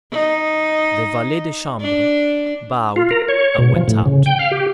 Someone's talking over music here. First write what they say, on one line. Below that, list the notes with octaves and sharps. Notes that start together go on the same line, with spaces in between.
The valet de chambre bowed and went out.
D#4
D4
F4
A#4
C#5
B2
F3
A2
C#3
G5
F5
G4